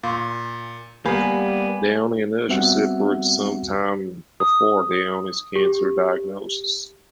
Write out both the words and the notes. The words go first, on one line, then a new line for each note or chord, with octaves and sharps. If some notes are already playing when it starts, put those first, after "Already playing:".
Downie and Usher separated sometime before Downie's cancer diagnosis.
A#2 F5 C6 C#6
G3 A#3 B3 G4 G#5 B5
G3 B3 C4 F#4 E5 F#5
D#6
G4